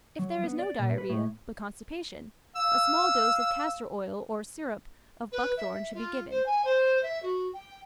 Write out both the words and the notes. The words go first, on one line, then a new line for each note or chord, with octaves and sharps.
If there is no diarrhoea, but constipation, a small dose of castor oil or syrup of buckthorn should be given.
F#3
B3
D5
A#2
B4
A2
F5 E6
B4
E5
F4
C5
G#5
C5
E5
F#4
G5